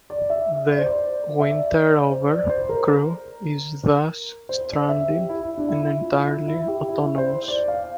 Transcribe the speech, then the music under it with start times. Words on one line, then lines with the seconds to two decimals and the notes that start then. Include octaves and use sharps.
The "winterover" crew is thus stranded and entirely autonomous.
0.10 D5
0.30 E5
0.70 D5
0.79 C5
0.86 D5
1.40 E5
1.51 D5
2.10 C5
2.30 D5
2.49 C5
2.69 A#4
4.49 C5
4.69 D5
4.89 E5
5.09 G4
5.29 E4
5.57 D4
5.69 E4
5.99 F4
6.28 E4
6.48 E4
6.68 G4
6.89 E4
7.18 C5
7.48 D5
7.68 F5